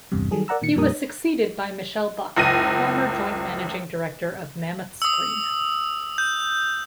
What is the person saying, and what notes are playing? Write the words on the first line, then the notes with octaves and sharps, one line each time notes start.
He was succeeded by Michele Buck, former joint managing director of Mammoth Screen.
A1 E2 G2 C3
D#3 F#3 G3 G#4 A4
A#4 D5 F#5 A#5 E6
A#2 D#3 C#7
F2 A#2 G3 A#4 D#6
F#1 C#2 A#6 D#7
D#6 E6
G6